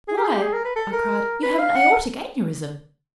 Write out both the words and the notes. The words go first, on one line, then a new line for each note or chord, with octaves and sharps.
"Why," I cried, "you have an aortic aneurism!"
G#4
G4
G#4
G4
G#4
A#4
B4
A4
A#4
B4
F5
F#5